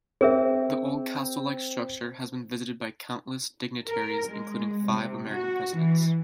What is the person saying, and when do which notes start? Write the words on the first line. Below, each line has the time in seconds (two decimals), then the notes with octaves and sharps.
The old castle-like structure has been visited by countless dignitaries including five American Presidents.
0.21 C4 G#4 A#4 E5
3.88 A#4
4.27 G#3
4.88 C3
5.29 F#4
5.75 E3